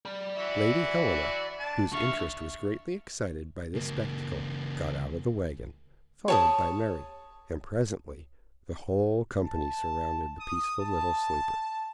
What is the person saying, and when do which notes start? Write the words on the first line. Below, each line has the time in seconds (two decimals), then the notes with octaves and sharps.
Lady Helena, whose interest was greatly excited by this spectacle, got out of the wagon, followed by Mary, and presently the whole company surrounded the peaceful little sleeper.
0.05 D5 B5
0.36 E3 F#4 E5
1.59 D4 A5
1.93 D3 E5 F5 C#6
3.75 C#2 A#3
6.28 C#5 A5 D#6
9.42 A5
10.40 D#6
10.81 A5